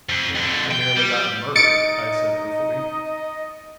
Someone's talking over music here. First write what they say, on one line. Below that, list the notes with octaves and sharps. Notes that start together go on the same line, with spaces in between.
"I nearly got murdered," I said ruefully.
F2
F2 D3
G5
G3
D#4 D#5 A6 C#7 D7